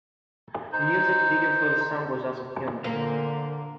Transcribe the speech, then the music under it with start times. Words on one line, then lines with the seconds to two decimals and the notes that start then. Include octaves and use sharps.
A music video for the song was also filmed.
0.72 D#4 C5
2.84 A#2 D3 A#3 A#4 C5